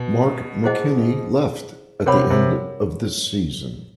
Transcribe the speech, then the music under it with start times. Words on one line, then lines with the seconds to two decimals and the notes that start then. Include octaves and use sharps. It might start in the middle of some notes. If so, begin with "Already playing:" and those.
Mark McKinney left at the end of this season.
Already playing: B2
0.64 E4 G#4 C5 D#5 F#5
2.06 C3 A#4 C#5 F#5 B5
2.30 C3